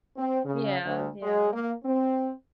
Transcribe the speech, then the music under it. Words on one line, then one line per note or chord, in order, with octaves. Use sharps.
Yeah, yeah.
C4
C#3
D2
G#3
A#3
C4